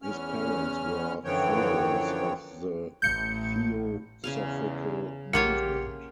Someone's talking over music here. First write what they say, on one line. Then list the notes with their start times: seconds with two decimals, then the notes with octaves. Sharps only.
His parents were followers of the Theosophical movement.
0.02 E2 C#4 F6
1.24 F#2 D3 E3 F3 C#5 G5
3.02 A1 A2 G6 C#7
4.24 E2 C#3 G#4 F5
5.33 A#1 A#3 F4 G4 C#5 E5 F#5 C#7